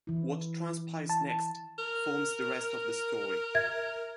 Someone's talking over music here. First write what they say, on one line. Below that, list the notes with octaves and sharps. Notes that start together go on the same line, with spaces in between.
What transpires next forms the rest of the story.
E3 E4
A5
A#4
E5 G#6